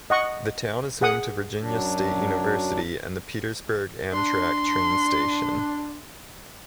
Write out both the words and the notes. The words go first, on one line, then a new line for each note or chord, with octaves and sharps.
The town is home to Virginia State University and the Petersburg Amtrak train station.
D#5 F#5 C#6
G#4 F#5 D#6
F#2 F#3 D4
D4 C6